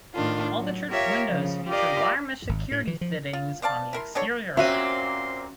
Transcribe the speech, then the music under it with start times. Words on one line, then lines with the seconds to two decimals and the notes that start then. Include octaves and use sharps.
All the church windows feature wire mesh security fittings on the exterior.
0.15 A2 D#3 D4 F4
0.57 F#3
0.90 F4 G4 A#4 C#5 E5
1.26 C#3 F3
1.69 F4 G4 A#4 D5 D#5 F5
2.49 G#1
2.72 A2
2.87 E3
3.01 F3
3.33 F4
3.62 C5 D5 F5 A5
3.93 E4 A#4 C6
4.15 B2 D4 A4 C#5
4.57 A#2 A#3 C4 C#4 F#4 E5 G#5 C6